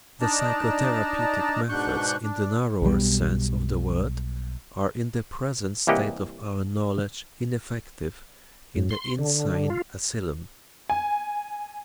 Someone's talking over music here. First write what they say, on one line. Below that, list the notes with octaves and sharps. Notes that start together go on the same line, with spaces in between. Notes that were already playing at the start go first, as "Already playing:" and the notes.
The psychotherapeutic methods in the narrower sense of the word are in the present state of our knowledge ineffective in the insane asylum.
D4 D#4 D5 A5 A#5
G#2 B2 D4 C#6 F#6 G6
D4
B1 B2 D3 G3
C2 E3 A#3 G4 D#5 F#5
F#2
C6
D3
F4
G#5